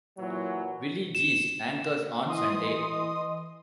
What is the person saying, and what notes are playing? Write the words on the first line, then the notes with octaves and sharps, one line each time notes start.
Willie Geist anchors on Sunday.
A#2 E3 F#3
E7
E3 D#5 C6 D#6